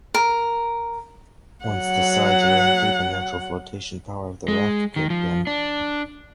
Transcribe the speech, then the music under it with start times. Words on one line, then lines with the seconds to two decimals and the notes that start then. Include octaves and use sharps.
Once the sides were empty the natural flotation power of the raft kicked in.
0.14 A#4
1.66 F#3 F#5
4.48 G#3
4.96 D#3
5.10 F3
5.47 D4